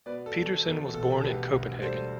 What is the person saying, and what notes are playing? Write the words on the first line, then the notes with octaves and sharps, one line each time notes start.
Petersen was born in Copenhagen.
B2 B4 D5
A4
E2
E2 A4
E1 A4
D2 G4 B4
D2
G3 A4 C5